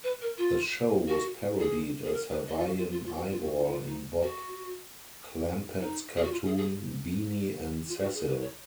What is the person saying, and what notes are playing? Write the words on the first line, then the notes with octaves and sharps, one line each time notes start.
The show was parodied as "Hawaiian Eyeball" in Bob Clampett's cartoon "Beany And Cecil".
B4
A#4
F4
F#4
G#4
G#4
A#4
B4
D#5
F4
F#4
F4
F4
F4
F#4
F4
F#4
F4
D#4
F4
D#4
F#4
D#4
G#4
F#4
F4
G#4
G#4
F4
G#4
F#4
G#4
B4
C#5